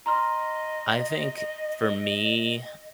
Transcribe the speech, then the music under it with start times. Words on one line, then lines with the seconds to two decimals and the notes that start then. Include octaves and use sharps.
I think, for me
0.06 D#5 A#5 C6 F6